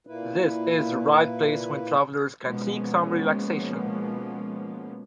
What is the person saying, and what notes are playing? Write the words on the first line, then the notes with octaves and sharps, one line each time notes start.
This is the right place when travelers can seek some relaxation.
A#2 A#3 E4 B4
B2 F3 G#3 A#3 B3 C#4